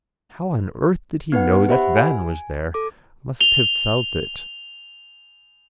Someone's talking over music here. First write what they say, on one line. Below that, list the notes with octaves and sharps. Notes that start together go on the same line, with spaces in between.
How on earth did he know that van was there? Must have felt it.
B3 D#4 B4 F#5
G4 C5 E5 F#5 B5
G#5
A4 D6
F7 G7